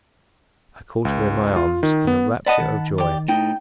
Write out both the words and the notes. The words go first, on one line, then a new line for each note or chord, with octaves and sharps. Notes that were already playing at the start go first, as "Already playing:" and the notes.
I caught her in my arms in a rapture of joy.
C#2
F4
D#3
B3
D5 D#5 F#5 A5 B5
D#3
G4 D5
A2 D#4 G5